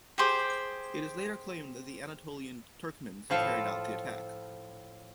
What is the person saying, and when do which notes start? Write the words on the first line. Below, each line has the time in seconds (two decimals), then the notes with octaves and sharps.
It is later claimed that the Anatolian Turkmens carried out the attack.
0.18 G4 G#4 C5 D6
3.30 A2 F3 F4 A4